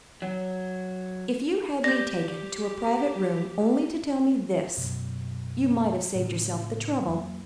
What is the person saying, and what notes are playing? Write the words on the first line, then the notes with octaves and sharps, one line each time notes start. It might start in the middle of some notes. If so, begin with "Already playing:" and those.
If you had me taken to a private room only to tell me this, you might have saved yourself the trouble.
F#3
G4 D5 G6 A#6
F#2 B2 F#3
A2 C#3
F2 F#3 A#3